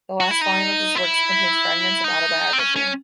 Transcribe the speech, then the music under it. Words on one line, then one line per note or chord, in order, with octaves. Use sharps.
The last volume of his works contains fragments of autobiography.
F#4
E4
D#4
E4
D#4
C4
C#4
C#4